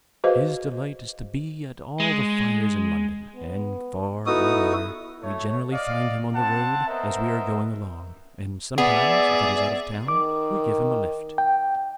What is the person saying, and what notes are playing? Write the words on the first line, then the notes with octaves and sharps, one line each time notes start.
His delight is to be at all the fires in London; and, far or near, we generally find him on the road as we are going along, and sometimes, if it is out of town, we give him a lift.
F#4 G#4 B4 C5 D#5 F5
G#3
B3
B3 D#4 E4 F#4 A4 D#6
A3 C#5
D5 D#5 F5
C4 F#5 A5
B3 A#4 C5 D#5 E5
B3 G#4 D5 E5
D#3 D6
G5